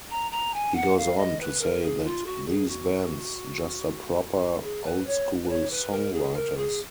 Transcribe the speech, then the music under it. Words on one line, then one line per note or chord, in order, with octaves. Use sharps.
He goes on to say that these bands just are proper old school songwriters.
A#5
A#5
G#5
F#5
F5
D#5
B4
A#4
G#4
F4
F#4
G#4
F#4
G#4
B4
C#5
B4
C#5
B4
A#4
G#4
A#4
G#4